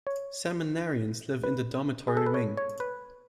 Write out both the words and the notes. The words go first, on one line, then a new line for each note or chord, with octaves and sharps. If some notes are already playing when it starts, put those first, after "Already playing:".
Seminarians live in the dormitory wing.
C#5
B4
G#4
A4
B4
C#5
C#5
B4